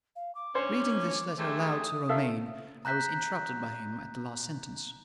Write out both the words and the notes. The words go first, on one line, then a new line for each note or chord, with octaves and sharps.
Reading this letter aloud to Romayne, I was interrupted by him at the last sentence.
F5
D6
D2 C#4 C5
C3 G#3 A3 D6
D#6
D#3 A4 E5 F5
A#5 F#6 G6 B6